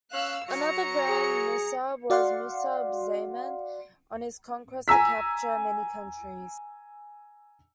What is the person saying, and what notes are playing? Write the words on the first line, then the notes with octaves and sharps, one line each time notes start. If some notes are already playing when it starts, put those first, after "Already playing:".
Another Grand Musab was Musab Zaman, on his conquest to capture many countries.
C#4 F5 E6 F#6
F#3 A#5 C#7
G#4
F#4 D5 F5 F#5 C6
G#5 A#5 E6 B6